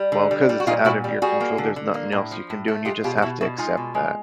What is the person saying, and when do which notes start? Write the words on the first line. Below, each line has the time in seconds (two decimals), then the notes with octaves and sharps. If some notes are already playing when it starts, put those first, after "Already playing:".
"Well, 'cause it's out of your control, there's nothing else you can do, and you just have to accept that."
Already playing: G3
0.12 D3
0.31 G3
0.49 G3
0.60 F#4
0.67 A#2 D#4 F4
0.85 A#2 E4 F#4
1.04 G3
1.22 G3 F#4 G#4
1.41 A#3
1.58 D3
1.76 D3
1.94 A#3
2.12 A2
2.31 F3
2.50 A2
2.68 A3
2.85 G#3 F4 G4
3.04 B2 F4 G4
3.18 G4
3.22 B2 E4 F#4
3.41 B2 E4 F#4
3.58 G#3 D#4 F4
3.77 B2
3.95 G#3